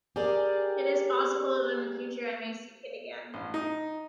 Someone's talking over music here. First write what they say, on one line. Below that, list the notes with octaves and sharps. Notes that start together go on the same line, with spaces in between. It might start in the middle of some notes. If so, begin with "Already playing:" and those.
It is possible that in the future I may seek it again.
G4 G#4 A#4 D5
A1
D#4